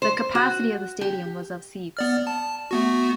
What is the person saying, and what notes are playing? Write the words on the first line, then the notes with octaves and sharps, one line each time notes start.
The capacity of the stadium was of seats.
C5
F#4
G4
B3 D5 F6
A5
A3 B3 F#4